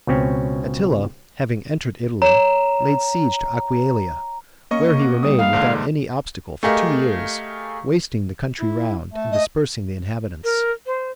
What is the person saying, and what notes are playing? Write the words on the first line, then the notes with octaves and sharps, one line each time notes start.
Attila, having entered Italy, laid siege to Aquileia, where he remained without any obstacle for two years, wasting the country round, and dispersing the inhabitants.
C#2 B2 C4 C#4
C#5 A#5 E7
A#3 C#4 D#5 C#6
F#5 D6
G3 D#4 D5 D#6
G#2 E3 F5
G#2 D3 D4 D6
A3 G4 G#4 A#4 D#5 F5
E4
A3
D#5
A#4
C5